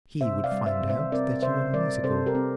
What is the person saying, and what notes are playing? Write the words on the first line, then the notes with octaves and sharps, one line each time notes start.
He would find out that you are musical.
C3 C5 E5
D5 F5
G3
C5 E5
C3
C5 E5
C4 A#4 D5
C3 C5 E5
G3 A#4 D5
C3 A4 C5
G4 A#4
C4